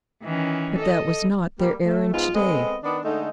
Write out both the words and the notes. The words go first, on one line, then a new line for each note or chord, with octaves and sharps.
But that was not their errand to-day.
D#3 E3 C#4
A4 D#5
G3 A#3
A3
G#2 G#3 B3 F4
G#3 B3 C4 A4 D#5
D#3 B3 D4
D3 G#3 A3 D#4